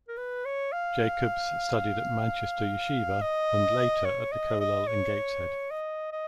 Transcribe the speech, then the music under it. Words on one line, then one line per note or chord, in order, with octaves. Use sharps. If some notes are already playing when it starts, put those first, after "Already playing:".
Jacobs studied at Manchester Yeshivah, and later at the kolel in Gateshead.
A#4
B4
C#5
F5
D#5
C#5
D#5
D#5
C#5
D#5
D#5